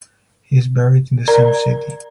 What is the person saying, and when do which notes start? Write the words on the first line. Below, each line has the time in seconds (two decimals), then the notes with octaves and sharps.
He is buried in the same city.
1.28 A#4 D5 A#5